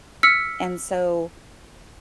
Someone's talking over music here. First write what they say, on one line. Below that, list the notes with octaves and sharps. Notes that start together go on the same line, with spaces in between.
and so
E6 F6 B6 C#7